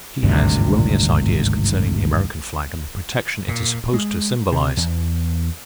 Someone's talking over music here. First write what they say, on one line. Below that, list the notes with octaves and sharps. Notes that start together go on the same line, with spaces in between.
But she has erroneous ideas concerning the American flag and the protection it is supposed to symbolize.
G#1 D2 G2 C3
A#2
G#3
C3
E2